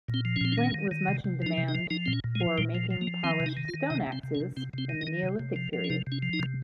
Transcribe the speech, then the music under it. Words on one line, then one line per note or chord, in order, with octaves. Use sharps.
Flint was much in demand for making polished stone axes in the Neolithic period.
A#2
C4
F3
C#4
A#2 C4
C#4
D#3
D#3
D#3
C3
C3
F3 D#4
C3
D#4
F3
F3 D#4
A#2 C4
C#4
A#2
G#3
F3
A#2 G3
F3
F3
A#3
F3
D#3 C4
C3
D#4
D#3
F4
D#3
C3 D#4
C3
C4
C3
C#4
C3
C3 C4
C3 C4
D#3
D#4
D#3
C3
C3
F3
F3
C#4
C3 D#4
C3
C#4
F3
D#4
C3